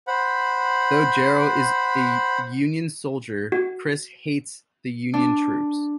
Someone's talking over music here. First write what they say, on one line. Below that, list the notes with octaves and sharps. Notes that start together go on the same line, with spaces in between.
Though Jethro is a Union soldier, Chris hates the Union troops.
C5 F#5 B5
F#4
D4